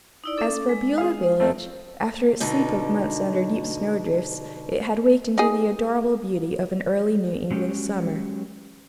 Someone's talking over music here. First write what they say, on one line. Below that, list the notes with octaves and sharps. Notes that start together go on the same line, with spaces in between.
As for Beulah village, after its sleep of months under deep snow-drifts it had waked into the adorable beauty of an early New England summer.
D#4 E4 D5
C#4 A4 D6
G#3
G#4 F5
A3 C4 A#4
B2 D3 D#4
D#4 G#4
F#3 G#3 C#4 G4